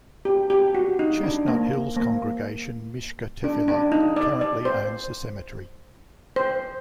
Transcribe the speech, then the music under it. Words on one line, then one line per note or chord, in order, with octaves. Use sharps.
Chestnut Hill's Congregation Mishka Tefila currently owns the cemetery.
G4
G4
F#4
D#4
D4
A#3
A#3
D4
D4
D#4
D5
D5
C5
C5